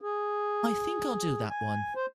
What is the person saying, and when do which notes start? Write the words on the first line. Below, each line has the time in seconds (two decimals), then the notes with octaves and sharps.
I think I'll do that one.
0.01 G#4
1.50 G#5
1.96 C5